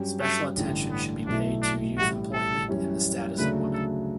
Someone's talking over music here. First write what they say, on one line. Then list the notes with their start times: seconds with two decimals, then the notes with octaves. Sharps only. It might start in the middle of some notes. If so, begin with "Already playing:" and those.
Special attention should be paid to youth employment and the status of women.
Already playing: G2 F#3 C#4 G4
0.21 A3
0.56 A1 G2 D3
0.91 B3
1.27 B1 B2 A3 D4 E4
1.62 D4
1.97 A1 A2 G3 F#4
2.33 A4
2.68 F#2 E3 G3 C#4
3.38 D2 C#3 F#3 A3 D4 B4
3.73 A4